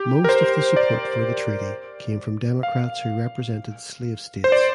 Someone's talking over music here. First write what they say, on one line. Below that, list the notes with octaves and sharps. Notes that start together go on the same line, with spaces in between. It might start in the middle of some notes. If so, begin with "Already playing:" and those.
Most of the support for the treaty came from Democrats who represented slave states.
Already playing: G4
A#4
C5
D5
F5
C5
D5